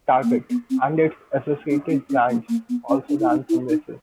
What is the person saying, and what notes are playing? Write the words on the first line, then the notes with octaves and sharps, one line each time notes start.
Target, and its associated brands, also ran some races.
A#3
B3
B3
C4
D4
C#4
C#4
A#3
A#3
B3
C#4
D4
E4
D#4
E4
D#4